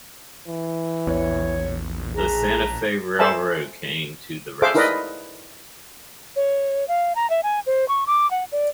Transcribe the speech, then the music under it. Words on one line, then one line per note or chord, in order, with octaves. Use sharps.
The Santa Fe Railroad came to the rescue.
E3
A#1 E2 C#5
G#4 B4 A5 A#5
A4 C5 E5 G#5 A5
G#4 A4 C5 E5 F5 D6
D#4 E4 A#4 B4 D5 D#5
C#5
F5
A#5
E5
G#5
C5
C#6
D6
F#5
D5